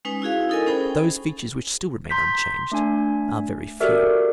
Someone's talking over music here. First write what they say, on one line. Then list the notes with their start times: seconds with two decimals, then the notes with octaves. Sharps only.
Those features which still remain unchanged are very few.
0.05 G#3 C#4 D#4 B4 G#5
0.22 E4 F#4 G#4 F5
0.49 D#4 E4 A4 A#4 D#5 G#5
0.66 C#4 G#4 C5 G5 B5
2.10 A#5 C6 G6 B6
2.72 A3 D4 G#5
3.80 F#4 G4 A4 A#4 D5 E5